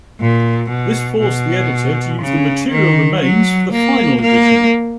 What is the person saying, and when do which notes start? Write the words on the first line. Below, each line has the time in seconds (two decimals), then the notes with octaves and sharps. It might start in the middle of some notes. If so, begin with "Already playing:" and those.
This forced the editor to use the material remains for the final edition.
0.20 A#2
0.70 B2
1.20 B2
2.21 C#3
2.71 D#3
3.21 F#3
3.72 A#3
4.21 A#3